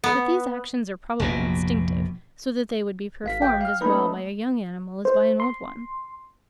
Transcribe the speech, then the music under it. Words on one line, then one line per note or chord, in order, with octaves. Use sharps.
But these actions are probably instinctive, so that they would be performed as well by a young animal as by an old one.
B3
F1 A#1 B2
G#1 F5 B6
G5
F5 F6
A3 C#4 D#4 B4 B5
C5
C6